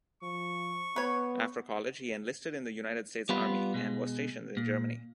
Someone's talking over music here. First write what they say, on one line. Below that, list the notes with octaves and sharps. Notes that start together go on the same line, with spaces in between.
After college, he enlisted in the United States Army, and was stationed in Germany.
F3 C#6
B3 B4 C#5
G3 B3 F4 B4
B2 G#3
A#2